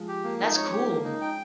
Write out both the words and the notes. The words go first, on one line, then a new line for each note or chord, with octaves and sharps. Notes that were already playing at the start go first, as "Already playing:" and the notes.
That's cool.
Already playing: F3 G#3
G4
A#3
D#4
G#3 C4 C#5
C#4
C4 D#4 G4
A#3 F4 G#4
D#4 F4 G#4
G5